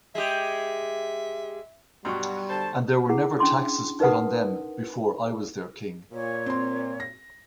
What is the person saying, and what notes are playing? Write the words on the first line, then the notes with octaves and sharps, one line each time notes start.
And there were never taxes put on them before I was their King.
G#3 G4 E5
G2 B2 F#3 G3 F#4 C6 C#6
D3 C5 A5
E4 G#4 F#5
C#4 D4 C6 D6
D#4 A#4 B4 F#5 D#6
A#2 C#5
C4 C6
A#6